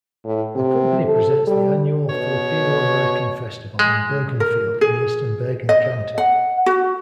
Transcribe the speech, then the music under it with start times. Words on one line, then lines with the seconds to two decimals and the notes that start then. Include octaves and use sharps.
The company presents the annual Filipino-American Festival in Bergenfield in eastern Bergen County.
0.25 A2
0.55 C3
1.05 A4
1.47 G3
2.09 B2 C#5
3.79 G#3
4.40 A#4
4.81 G#4
5.69 D#5
6.18 F#5
6.66 F#4